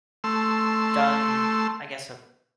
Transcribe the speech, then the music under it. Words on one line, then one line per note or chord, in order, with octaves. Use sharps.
done, I guess a
A3 C6 E6